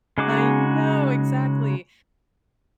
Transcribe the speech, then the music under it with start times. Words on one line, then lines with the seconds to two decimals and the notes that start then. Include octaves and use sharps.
I know, exactly.
0.18 C#3 G#3 D#4 F#4 D6